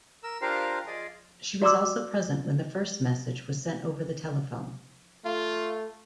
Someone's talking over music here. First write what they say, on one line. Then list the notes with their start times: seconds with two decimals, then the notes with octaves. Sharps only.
She was also present when the first message was sent over the telephone.
0.23 A#4 E6
0.42 D4 F4 G4 A#4 C5 F5
0.87 F4 G#4 D5 D#5
1.62 F#4 D5 A#5 C6 D6 E6
5.25 A3 F4